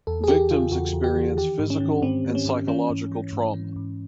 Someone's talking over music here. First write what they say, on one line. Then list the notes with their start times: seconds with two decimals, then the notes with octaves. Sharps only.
Victims experience physical and psychological trauma.
0.07 E2 A4
0.24 G#4
0.28 E3 G4
0.50 C#3 F4
0.71 E2 F#4
0.93 E2
1.04 G4
1.16 E3
1.37 D#3 G4
1.59 G#2
1.70 C#4
1.80 D#3
2.02 G#2 C4
2.25 D#3
2.35 C#4
2.45 G#2
2.67 E3 C#4
2.90 G#2
3.12 E3
3.33 G#2
3.54 E3
3.76 G#2